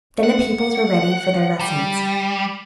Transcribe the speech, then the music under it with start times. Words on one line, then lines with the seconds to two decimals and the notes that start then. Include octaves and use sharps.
Then the pupils were ready for their lessons.
0.23 F#5
1.60 G3